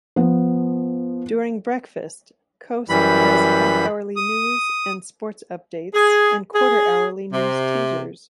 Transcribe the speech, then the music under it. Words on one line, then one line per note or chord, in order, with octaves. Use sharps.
During breakfast Coast has half-hourly news and sports updates and quarter-hourly news teasers.
F3 B3
F#2 E3 G3 B5
D#6
G#4
G#4
C3